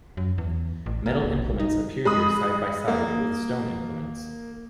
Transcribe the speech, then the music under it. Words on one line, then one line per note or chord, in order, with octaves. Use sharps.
Metal implements appear here side-by-side with stone implements.
F#2
E2
A1
A#3
D1
A#1
D#4
G#3 B5 D#6
A#3